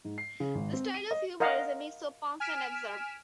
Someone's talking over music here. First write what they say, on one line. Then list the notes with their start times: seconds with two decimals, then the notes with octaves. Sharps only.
The style of humour is a mix of puns and absurd.
0.05 G#2
0.18 C7
0.40 C#3
0.55 G#1
0.73 C4
0.94 D#7
1.11 D#5
1.40 A#4 D#5 F5 F#5
2.40 G#5 F6 B6 D7 E7